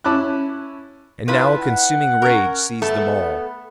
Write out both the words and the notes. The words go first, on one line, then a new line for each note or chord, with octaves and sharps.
And now a consuming rage seized them all.
C#4 E4 A5 B5 D6 F#6
D4 E4 F4 B4
F#5
C#4 A#4
A3 B3 A4 A5